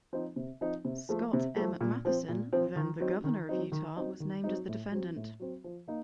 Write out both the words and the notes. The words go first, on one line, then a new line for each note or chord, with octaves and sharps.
Scott M. Matheson, then the governor of Utah, was named as the defendant.
F3 C4 D#4
C3
F3 C4 D#4
C3
F3 A3
C3
F3 A3
A#2
F3 C4
A#2
F3 C4
D#3
F#3 C4 D#4
D#3
F#3 C4 D#4
D#3
F#3 C4 D#4
D#3
F#3 C4 D#4
A2
F#3 C4
A2
F#3 C4
F3
A#3 D#4